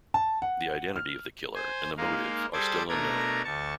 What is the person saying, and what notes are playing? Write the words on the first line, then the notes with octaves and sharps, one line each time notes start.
The identity of the killer and the motive are still unknown.
A5
F#5
F6
C5 G#5
G#3 A#3 D#4 F5
G3 G#4 A4 C5 D6 G#6
B2 A3 D4 A#4 A#5 G#6
D2 A5 C#6